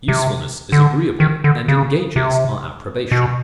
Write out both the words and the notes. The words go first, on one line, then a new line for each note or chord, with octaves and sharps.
Usefulness is agreeable, and engages our approbation.
C3
D3
D#3
D3
C#3
C3
B2